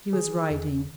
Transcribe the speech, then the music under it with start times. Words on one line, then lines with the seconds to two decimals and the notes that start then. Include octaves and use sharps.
She was writing.
0.13 D#3 G#4
0.50 E2